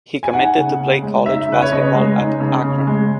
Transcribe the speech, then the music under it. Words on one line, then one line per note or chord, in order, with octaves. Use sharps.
He committed to play college basketball at Akron.
G#5
D#4 F#5
C#3
C#3
G#3
D#4 E5
C#3 B4
C#5
C#3 D#5
G#3
D#4
C#3
C#3
G#3